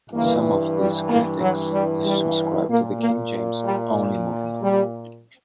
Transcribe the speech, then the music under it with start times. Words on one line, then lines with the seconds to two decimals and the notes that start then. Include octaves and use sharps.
Some of these critics subscribe to the King James Only movement.
0.12 G2 E3 A#3
0.77 G3
1.09 A#3
1.40 F#3
1.73 G3
2.05 G3
2.68 A#2 A#3
3.01 A#3
3.64 G3
4.61 G3